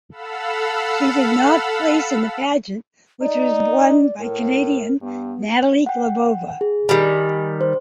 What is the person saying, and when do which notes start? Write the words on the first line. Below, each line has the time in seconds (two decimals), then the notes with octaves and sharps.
She did not place in the pageant, which was won by Canadian Natalie Glebova.
0.11 A4 F5 F#5 B5 E6
3.22 D#4 D5
4.20 A2 A#4
5.02 G2 B3
5.86 F#5 G5
6.61 G#4
6.89 D#3 G3 G#5
7.61 C5